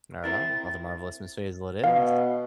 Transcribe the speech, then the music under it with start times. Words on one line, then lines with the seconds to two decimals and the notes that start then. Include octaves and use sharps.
Right on. Oh, the Marvelous Miss Maisel it is.
0.24 C4 E4 A#4 A6
1.84 B2 F5